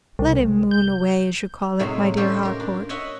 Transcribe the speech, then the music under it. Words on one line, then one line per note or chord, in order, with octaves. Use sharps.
Let him "moon away," as you call it, my dear Harcourt.
C2
G6
A2 C3 F#3 G#3 A3
F3 C#4 F4 G4 A4 C#5
G4 A#4
D4
C#5 D#5 E5 F#5